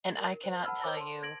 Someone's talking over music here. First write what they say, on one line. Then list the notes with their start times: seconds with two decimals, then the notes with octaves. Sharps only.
and I cannot tell you
0.18 A#4
0.43 C5
0.64 F#5 A5 B5 E6 F6
0.83 A#4 C5 C#5 D6 E6
0.97 A5 C6
1.23 G#6 A#6 D7 F#7